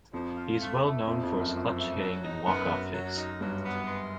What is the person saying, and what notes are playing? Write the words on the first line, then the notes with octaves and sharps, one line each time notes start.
He was well known for his clutch hitting and walkoff hits.
F2 F3
F4
A3
A3
F2 F3
F2
A3
F#2
F3
A3
F#3
D#4
F#2 B3
F#3
F#3
D#4
G2 F#3
B3
G#3